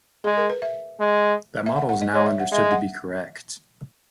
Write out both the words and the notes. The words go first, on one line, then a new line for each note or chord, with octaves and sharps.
That model is now understood to be correct.
G#3 G#4
A#4
B4
E5
G#3
E5
F#5
F#5
D#5
G#3 C#5
E5
F#5
G#3 E5
F#5